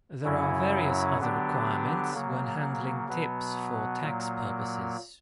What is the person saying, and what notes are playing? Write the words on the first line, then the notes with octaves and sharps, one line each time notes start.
There are various other requirements when handling tips for tax purposes.
F#2 C#3 F#3 C#4 E4
D3 F#3 B3 D4 G4
C#3 F#3 A#3
B2 F#3 B3
A#2 F#3 A#3